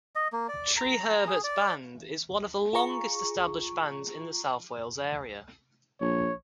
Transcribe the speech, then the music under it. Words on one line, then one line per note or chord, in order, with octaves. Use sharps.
Treherbert Band is one of the longest established bands in the South Wales area.
D#5
A#3
D5
A#5
G#4
D5
F4 G#4 A#5 C#6
A#1 C#5